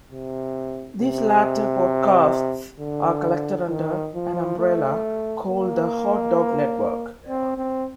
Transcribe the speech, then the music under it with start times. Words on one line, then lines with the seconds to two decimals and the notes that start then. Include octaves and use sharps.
These latter podcasts are collected under an umbrella called the "Hot Dog Network".
0.11 C3
1.01 C3
2.80 D3
3.69 D#3
4.15 F3
4.59 A3
5.50 A#3
7.29 C4
7.58 C4